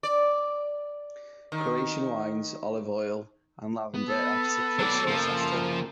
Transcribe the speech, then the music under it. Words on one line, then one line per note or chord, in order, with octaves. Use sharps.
Croatian wines, olive oil and lavender are particularly sought after.
D5
D#3
B3
A4
F#3 D5
C#3 F3 A#3